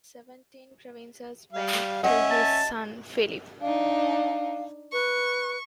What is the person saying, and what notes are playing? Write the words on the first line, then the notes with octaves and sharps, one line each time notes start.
The Seventeen Provinces went to his son Philip.
G3 F5
C#4 D#5 E5 F#5
A5
D4 D#4 F5
B4 C#6